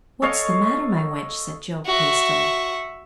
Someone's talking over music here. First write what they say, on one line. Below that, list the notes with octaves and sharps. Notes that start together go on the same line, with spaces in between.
"What's the matter, my wench?" said Job, hastily.
A4 C#5 D#5 F5
F#4 E5